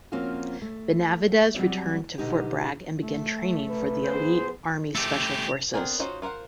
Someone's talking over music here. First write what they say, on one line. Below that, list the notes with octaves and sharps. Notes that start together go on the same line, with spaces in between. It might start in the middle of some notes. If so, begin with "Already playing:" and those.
Benavidez returned to Fort Bragg and began training for the elite Army Special Forces.
F3 A#3 C4 C#4 F4 F#4
A3
F#3 G3 C4 E4 D5
B2 D3 D#4 G4
A3
B4
B3 G#4 C5
A3 G4
B3 C4 D4 A#4 G#5
C#4 D#4 F4 F#4 C5
F4 A#4 C5 F#5